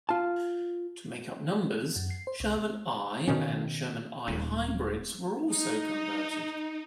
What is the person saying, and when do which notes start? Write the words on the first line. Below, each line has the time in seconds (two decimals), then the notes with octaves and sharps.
To make up numbers, Sherman I and Sherman I Hybrids were also converted.
0.09 F4 A5
1.96 F#2
2.10 C7
2.27 C5
2.40 C2
3.28 B2 D#3 C#4
4.28 D#1
5.52 D#4